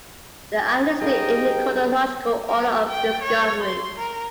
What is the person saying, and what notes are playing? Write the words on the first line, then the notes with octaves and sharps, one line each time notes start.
They are listed in chronological order of discovery.
F#3 G3 D#4 F4 G#4 A#4 D#5 G5
A#4
G5
C#5
C6
A#4